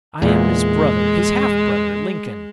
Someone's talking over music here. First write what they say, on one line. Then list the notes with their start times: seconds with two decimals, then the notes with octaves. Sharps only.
I am his brother--his half-brother, Lincoln.
0.22 E2 A#2 G#3